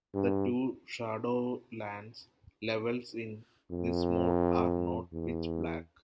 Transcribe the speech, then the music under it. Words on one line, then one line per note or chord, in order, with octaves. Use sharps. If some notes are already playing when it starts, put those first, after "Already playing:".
The two Shadowlands levels in this mode are not pitch black.
G2
F2
E2